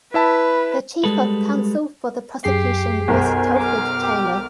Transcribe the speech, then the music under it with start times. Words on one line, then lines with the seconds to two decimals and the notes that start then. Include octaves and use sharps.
The Chief of Counsel for the Prosecution was Telford Taylor.
0.14 E4 B4 E5 A5
1.04 G3 G#3 A4 B4
2.44 F#2 G4 G#4 C7
3.08 B1 A#4 C5 G#5
3.57 D6 F6
4.03 G4